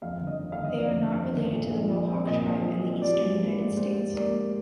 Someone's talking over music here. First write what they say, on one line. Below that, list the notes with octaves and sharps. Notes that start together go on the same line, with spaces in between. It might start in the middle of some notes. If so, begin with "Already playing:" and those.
They are not related to the Mohawk tribe in the eastern United States.
F2 F5
G1
D#5
D#3
F5
G1
D#5
F2 D5
G1
D#3
G1
A#2
A#1
F3
C4
A#2 D#5
A#1
F3
C4
G3 D5
G#2
A#3
G#2
G3 C5
G#2
A#3 D5
G#2